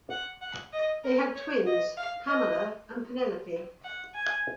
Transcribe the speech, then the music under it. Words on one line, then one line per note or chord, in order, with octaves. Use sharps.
They had twins, Pamela and Penelope.
F#5
F#5
D#5
A#4
C#5
D#5
F5
D#5
F#5
G#5